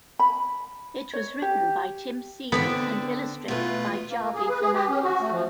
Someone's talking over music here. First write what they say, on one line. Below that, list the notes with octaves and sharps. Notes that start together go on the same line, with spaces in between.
It was written by Tim Seeley and illustrated by Javi Fernandez.
B5
C#5
G4
D3 B3 C4 D4
E2 B2 A3 F4 B4
A#3
A#3
G#4
B4
G#4
G4
C#4
F#4
A3
F3